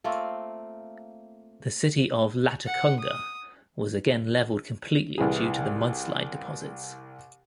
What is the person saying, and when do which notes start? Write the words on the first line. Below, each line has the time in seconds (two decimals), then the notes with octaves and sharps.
The city of Latacunga was again leveled completely due to the mudslide deposits.
0.04 A3 A#3 C4 F4
2.66 F#5
2.99 D#6
5.18 C2 E3 G#4